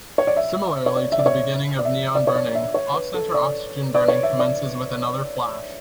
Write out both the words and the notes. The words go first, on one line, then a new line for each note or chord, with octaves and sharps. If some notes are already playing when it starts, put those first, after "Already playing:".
Similarly to the beginning of neon-burning, off-center oxygen-burning commences with another flash.
C#5
D5
E5
C#5
D5
E5
D5
C#5
D5
E5
D5
C#5
D5
E5
C#5
B4
A4
D5
D5
B4
C#5
E5
D5